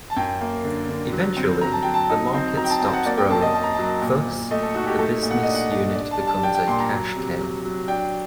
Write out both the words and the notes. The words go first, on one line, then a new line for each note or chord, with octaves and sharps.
Eventually, the market stops growing; thus, the business unit becomes a "cash cow".
A5
F#2 G5
A#3
D3
D3
F#3
C4
F#3 A#5
A5
F#3 G5
A5
D#4
C4
F#3 A#5
G5
A5
C4 A5
F#5
A#3 D5
G5
F#2 A5
D#5
A#3 A5
A#5
A5
F#3
A#2
A#2
A3 D#5
A4
D#4 F#4
G4
A3 A4
A#2
F#5
D4 D#5
F#5
D4
D4
A5
G3
A5
D4 G5
G5
A#2 C6
A#5
F#3
C3
F#3
F#3
D4 G5